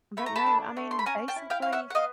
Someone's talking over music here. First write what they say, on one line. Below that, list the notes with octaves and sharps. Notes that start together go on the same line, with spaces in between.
But, no, I mean, basically,
A3 B5
A#5
A5 B5
D4
A3
C6
B5
C#4 G#5 A#5
G5 A5
E4
F5 G5
C#4 F5
E5 F#5
F#5
B3 D#5 F5